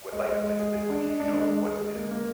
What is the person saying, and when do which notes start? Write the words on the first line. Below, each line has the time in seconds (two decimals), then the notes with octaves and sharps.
what, like, with with which you know what to do
0.13 G#3
0.29 G#3
0.43 G#3
0.60 G#4
0.74 G#4
0.89 D4
1.05 G#3
1.20 D4
1.35 G#3
1.50 G#3
1.66 G#4
1.81 G#3
1.95 A#3
2.11 A#3